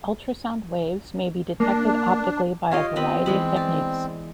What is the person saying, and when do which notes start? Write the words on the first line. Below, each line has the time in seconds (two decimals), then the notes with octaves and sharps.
Ultrasound waves may be detected optically by a variety of techniques.
1.60 A#3 D4
2.71 F4 G4 C#5 D#5 F5
2.96 B3 C4 D#5 B5
3.26 E3 G#3 B5
3.56 D5